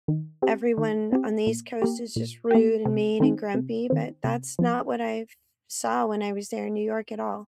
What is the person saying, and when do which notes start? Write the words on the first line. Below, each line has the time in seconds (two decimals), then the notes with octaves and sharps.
everyone on the East Coast is just rude, and mean, and grumpy, but that's not what I've saw when I was there in New York at all.
0.08 D#3
0.42 C4 G4
0.78 D#3
1.12 C4 G4
1.47 A#2
1.82 A#3 G4
2.16 A#2
2.51 A#3 G4
2.85 C3
3.20 D#3 C4
3.55 C3
3.90 D#3 C4
4.24 C3
4.59 F3